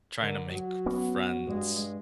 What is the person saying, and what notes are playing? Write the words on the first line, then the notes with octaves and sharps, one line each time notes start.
trying to make friends
D3 A#4
F#3 F#4
B3 C#4
G2 G#3